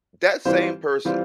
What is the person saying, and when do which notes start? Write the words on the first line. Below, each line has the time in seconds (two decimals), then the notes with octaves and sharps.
that same person
0.45 E3 G3 C4 F4 C5
1.05 E3 G3 C4 F4 C5